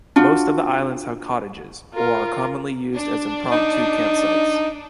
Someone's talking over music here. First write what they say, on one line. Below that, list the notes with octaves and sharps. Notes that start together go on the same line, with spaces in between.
Most of the islands have cottages or are commonly used as impromptu campsites.
D4 F4 F#4
F4 A#4
D4
D#4